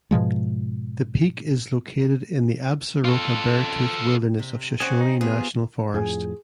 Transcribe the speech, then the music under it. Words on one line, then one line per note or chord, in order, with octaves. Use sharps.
The peak is located in the Absaroka–Beartooth Wilderness of Shoshone National Forest.
G#2 B2 F3 G#3
F4 A4
C3
C4 C#4 F#4 G#4
D#4
C3 B3 F4 G#4
F2 A2 F3 G#4 G#5